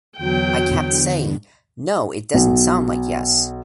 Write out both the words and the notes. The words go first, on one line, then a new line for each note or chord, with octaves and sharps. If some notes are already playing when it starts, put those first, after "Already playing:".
I kept saying, 'No, it doesn't sound like Yes.
E2 D3 F#3 B3 G5
B1